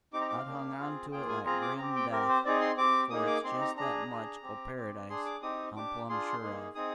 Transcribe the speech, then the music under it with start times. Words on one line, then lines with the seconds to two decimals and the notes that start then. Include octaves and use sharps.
I've hung on to it like grim death, for it's jest that much o' Paradise I'm plumb sure of.
0.13 C4 D#4 G4 D6
0.21 A#5
0.30 D6
0.37 F5
0.46 A#3 D4 G4
0.79 C4 F4 G#4
1.12 A#3 F4 G#4 G5
1.29 G#5
1.45 C4 F4 G#4 A#5
1.61 D6
1.78 C4 G4 A#5
1.96 G5
2.11 C4 G4 A#4
2.29 C5
2.45 C4 D#4 G#4 D5
2.61 C6
2.77 C4 G4 D6
3.10 A#3 D#4 G#4 D#6
3.27 D6
3.44 C4 D#4 G4 C6
3.61 A#5
3.76 D4 G#4 A#5
4.10 D4 G#4
4.43 C4 G4
4.76 C4 G4
5.10 D4 G#4 C6
5.26 D6
5.42 C4 D#4 G4 D#6
5.76 D4 G4 D6
6.09 D4 F4 G#4 C6
6.42 A#3 D#4 G#4
6.74 C4 D#4 G#4 D#6